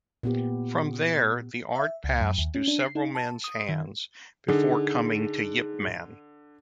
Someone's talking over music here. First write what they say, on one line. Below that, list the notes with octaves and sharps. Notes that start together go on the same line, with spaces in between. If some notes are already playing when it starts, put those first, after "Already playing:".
From there, the art passed through several men's hands before coming to Yip Man.
A#2 B3 G4
E5
C#2
F#2
D#2
C#4
D4
C7
D#4
A5
D#6
D#3
D3 D#4 G#4